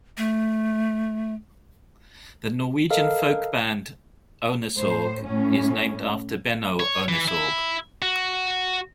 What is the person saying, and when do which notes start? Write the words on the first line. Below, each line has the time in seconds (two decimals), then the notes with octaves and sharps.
The Norwegian folk band Ohnesorg is named after Benno Ohnesorg.
0.17 A3
2.90 A4 A#4 D#5 F5
4.77 A2 C5
5.24 A2 C#4
6.80 C#5
7.09 E3
7.28 E4
8.02 F#4